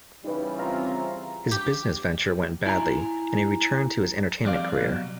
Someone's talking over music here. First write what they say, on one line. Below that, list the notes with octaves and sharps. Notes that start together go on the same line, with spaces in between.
His business venture went badly and he returned to his entertainment career.
C#3 E3 G3 D#4 B4
C4 F4 E5 F5 A#5
G4
E4 G#5 A#5
F2 G3 D5 F5
B2 F#3